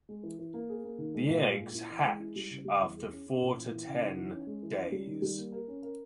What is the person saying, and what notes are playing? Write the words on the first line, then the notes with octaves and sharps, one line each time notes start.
The eggs hatch after four to ten days.
G#3
E3
E3
A#3
G#4
A#3
D#3
G#3
A#2
G#3
A#2
E4
E3
G#3
E4
G3
C#3
G3
E2
G#4
C#4
C#4
A#2
E3
E3
C#3
D#4
E3
C#4
G#3
E3
C#4
G3
D#3
G3
A#3
A#4
C#4
A#4